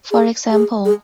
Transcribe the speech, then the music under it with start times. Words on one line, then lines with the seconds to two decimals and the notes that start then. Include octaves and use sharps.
For example.
0.11 G#4
0.51 G#4
0.85 G#4